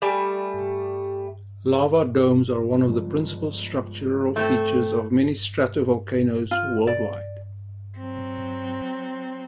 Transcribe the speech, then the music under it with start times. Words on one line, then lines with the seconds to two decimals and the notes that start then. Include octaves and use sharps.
Lava domes are one of the principal structural features of many stratovolcanoes worldwide.
0.02 G3 A3 G4 G#5
2.87 G1 C#2 F3
4.36 A3 C4
6.51 F4
6.87 D5
7.98 F#3 C4